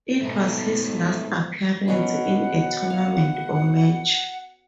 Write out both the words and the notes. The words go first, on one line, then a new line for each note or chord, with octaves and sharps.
It was his last appearance in a tournament or match.
G#2 B2 A3 D#4
B2 F#3 C#4 F#5
F5